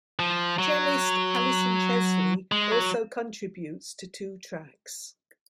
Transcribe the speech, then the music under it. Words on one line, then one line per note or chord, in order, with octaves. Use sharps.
Cellist Alison Chesley also contributes to two tracks.
F3
F#3
G#3
F#3